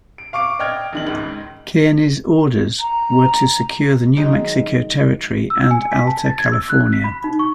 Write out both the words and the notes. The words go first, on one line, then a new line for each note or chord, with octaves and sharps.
Kearny's orders were to secure the New Mexico territory and Alta California.
D7
F5 C#6 D6 D7
D5 D#5 G5 F6 G#6
A#1 D#3 F#7
C#2 G#2
A#5
D#3 F#3 G#3 D#4
E6
G#5
B6
A5
A6
G#6
E6
F#6
B6
B5
D#4
C#6